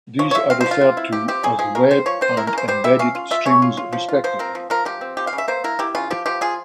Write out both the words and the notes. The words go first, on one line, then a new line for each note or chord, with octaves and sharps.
These are referred to as the 'web' and 'embedded' streams, respectively.
F3 C#5
C#5
F3 E5
C4 F5
C5
F3
F4
C4
E4
F3 G4
C4 G4
C#3 G#4
F3 G#4
C#3 A#4
C4 C5
F3 C#5
C4 C5
E4 A#4
A#4
C#3 C5
G3 C5
G3 E5
C#4 F5
F4
F4 E5
C#4 C#5
F4
F4
F3
F4
F3 C5
C4 A#4
F3
F3 A#4
F3 G4
C4
F3 G4
F5
C#3
E5
A#3 C5
E4 A#4
E4 G4
C#3 F4
F3 G4
F3 G4
F4 G#4